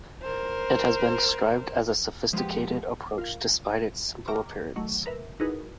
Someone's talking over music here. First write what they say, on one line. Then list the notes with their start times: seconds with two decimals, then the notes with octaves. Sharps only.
It has been described as a sophisticated approach despite its simple appearance.
0.23 A#4 C5
2.33 F3 G#3 A#3 B3 G4
3.18 F4 A#4 F5
4.28 E5 G5 A#5 C#6 D6 F6
4.76 D#3 F#3 A3
5.06 A#4 B4 E5
5.40 D#4 E4 F#4 G#4 A#4 B4